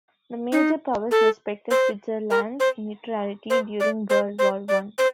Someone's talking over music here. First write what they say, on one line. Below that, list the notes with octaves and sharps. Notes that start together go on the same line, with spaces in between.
The major powers respected Switzerland's neutrality during World War One.
D#4
A4
C5
A#4
C5
C5
D5
C5
C5
D5
C5